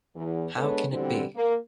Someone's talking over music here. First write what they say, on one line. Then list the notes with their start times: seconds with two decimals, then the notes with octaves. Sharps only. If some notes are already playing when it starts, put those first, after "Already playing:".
How Can it Be?
0.15 E2
0.57 G#3 B3 D4 A4 B4 C#5
0.92 B2 D3 E3 G3 C4
1.36 A#3